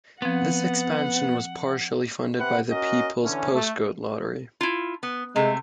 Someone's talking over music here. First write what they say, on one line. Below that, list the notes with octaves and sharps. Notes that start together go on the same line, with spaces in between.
This expansion was partially funded by the People's Postcode Lottery.
F3 B3 C4 F#5
C3 B4 F#5
C#4 F#4 A#4 D#5
D3 E3 C#4
A3
E4 F4
B3
C3 G#3 A3